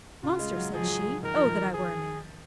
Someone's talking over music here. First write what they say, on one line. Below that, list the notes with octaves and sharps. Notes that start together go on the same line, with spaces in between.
"Monster!" said she; "oh! that I were a man!"
C#3 F4
G#3
F#3
F3 G#4
F#3
F3
D#3 A#4
F3
D#3
G#4